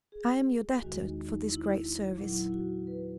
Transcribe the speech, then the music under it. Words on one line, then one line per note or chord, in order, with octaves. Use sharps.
'I am your debtor for this great service.'
G#4
E2 D#3 G#3 F#4
D#4
D#4
E4
A#2 F#3 E4
E4
F#4
B4